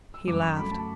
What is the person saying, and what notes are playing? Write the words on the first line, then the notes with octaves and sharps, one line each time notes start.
He laughed.
E6
F#2 D6
C#6
D3 F#3 A3 B5
A5